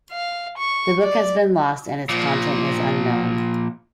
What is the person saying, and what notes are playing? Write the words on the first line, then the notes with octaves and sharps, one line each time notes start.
The book has been lost and its content is unknown.
F5
C#6
D5
A#2 F3